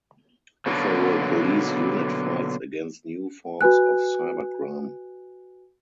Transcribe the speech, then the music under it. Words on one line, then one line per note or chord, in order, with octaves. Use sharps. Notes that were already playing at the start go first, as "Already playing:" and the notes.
A Federal Police unit fights against new forms of cybercrime.
B2 D3 F#3 A#3
F#4 B4 G#5 F#6